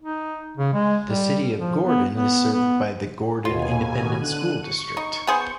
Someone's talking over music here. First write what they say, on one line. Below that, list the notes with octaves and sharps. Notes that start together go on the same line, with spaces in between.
The City of Gordon is served by the Gordon Independent School District.
D#4
C#3
G#3
G3
F3
B3
B3
B3
D#2 B2 F4 G#5
D3 F#6 D#7
C#6
D#4
B3 G#4 C5